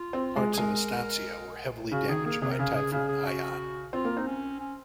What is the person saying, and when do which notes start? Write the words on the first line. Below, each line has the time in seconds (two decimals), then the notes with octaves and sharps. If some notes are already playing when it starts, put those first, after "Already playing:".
Parts of Estancia were heavily damaged by Typhoon Haiyan.
Already playing: F4
0.13 C4
0.36 G#3
0.53 G#4
0.58 G#3 A#4
1.91 C#3 F#4
2.09 D#3 G#4
2.26 A#3 G#4
2.42 C3 G#4
2.51 A#4
2.59 C#3 G#4
2.76 G#4
2.92 C#3 G#4
3.09 G#4
3.26 F#4
3.93 C4 F4
4.05 A#3
4.17 C4 D#4
4.27 C#4
4.60 C#4